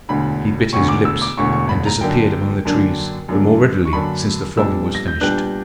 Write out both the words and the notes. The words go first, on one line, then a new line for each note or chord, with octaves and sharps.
He bit his lips, and disappeared among the trees, the more readily since the flogging was finished.
E1 D2 D3 B5
E1 D2 D3 C#6
D6
E6
D6
E1 D2 D3 C#6
C#6
B5
A#5
F#2 D3 A#3 D4 G5
F#2 D3 A#3 D4
F#2 D3 A#3 D4
C#6
F#2 D3 A#3 D4 B5
A#2 G3 B3 D4 E6
A#6
G6
A#2 G3 B3 D4 F#6